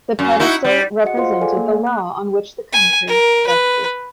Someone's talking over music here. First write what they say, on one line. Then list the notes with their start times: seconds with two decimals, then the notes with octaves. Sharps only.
The pedestal represented the law on which the country rested.
0.19 F#2
0.40 D#4 E4 F#4
0.64 G3
1.05 F#4 G#4 D#5 F#5 C#7
1.17 F4 C5 F5 F#5 C6
1.41 G#4 A4 D5 F5 G#5
1.57 A#3
1.87 F#6
2.73 G#5
3.08 A#4
3.47 B4